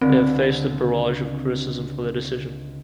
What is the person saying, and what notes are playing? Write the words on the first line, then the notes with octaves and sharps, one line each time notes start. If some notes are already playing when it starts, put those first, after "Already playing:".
They have faced a barrage of criticism for their decision.
C#2 D3 C4